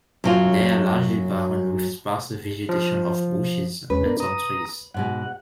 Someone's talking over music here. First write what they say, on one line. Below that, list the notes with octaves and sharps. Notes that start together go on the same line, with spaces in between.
They are largely barren, with sparse vegetation of bushes and some trees.
F#2 F#3 F4
F3
E2 G#3 C#4 B4
B3 D4 A#4
A#5 D#6
G#2 B2 G#3 F#5